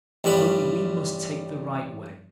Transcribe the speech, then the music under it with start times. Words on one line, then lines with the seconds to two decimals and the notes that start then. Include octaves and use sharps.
Only we must take the right way.
0.24 A1 G2 G3 B5